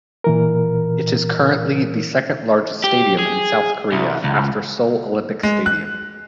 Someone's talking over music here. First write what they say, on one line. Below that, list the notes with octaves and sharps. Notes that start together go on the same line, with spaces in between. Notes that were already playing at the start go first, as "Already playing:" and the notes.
It is currently the second largest stadium in South Korea after Seoul Olympic Stadium.
A#2 E3 A#4
G4
G#4
C2
C#2
G#3
F#6